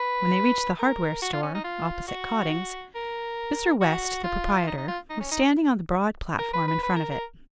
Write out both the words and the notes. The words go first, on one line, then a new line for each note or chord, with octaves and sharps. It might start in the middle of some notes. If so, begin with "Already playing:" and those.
When they reached the hardware store, opposite Cotting's, Mr. West, the proprietor, was standing on the broad platform in front of it.
Already playing: B4
A#4
F#4
F4
C#4
D#4
F4
F#4
A#4
F#4
F4
D#4
D#4
F4
D#4
C#4
D#4
A#4
B4
B4
B4
A#4
A#4